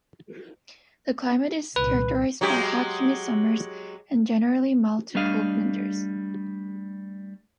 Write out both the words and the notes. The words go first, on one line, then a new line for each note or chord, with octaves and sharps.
The climate is characterized by hot, humid summers and generally mild to cool winters.
C2 A#2 D#3 B4
F#3 G#3 G4
G3 A3 D4 D#5 F5